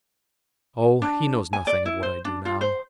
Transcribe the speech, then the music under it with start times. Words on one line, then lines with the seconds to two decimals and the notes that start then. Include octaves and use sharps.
"Oh, he knows nothing of what I do now."
1.02 D4
1.53 G#5
1.67 D5
1.86 E4
2.03 C5
2.25 D4
2.45 F4
2.61 C5